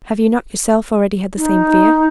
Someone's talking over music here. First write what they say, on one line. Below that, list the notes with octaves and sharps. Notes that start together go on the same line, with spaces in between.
"Have you not yourself already had the same fear?"
D#4